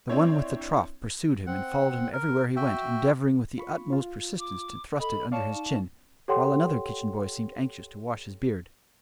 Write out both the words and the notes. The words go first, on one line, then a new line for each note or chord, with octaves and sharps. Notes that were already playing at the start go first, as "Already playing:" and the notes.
The one with the trough pursued him and followed him everywhere he went, endeavouring with the utmost persistence to thrust it under his chin, while another kitchen-boy seemed anxious to wash his beard.
C4 D4 E4 C#5
C4 F#5
A#4
F#4 E5 G5
F4 B5 C#6
F4
D6
A4 D#5 B5
C#5 D5 F5 A5 C#6
D#4
G4 A4 C#5 F#5 G5 C6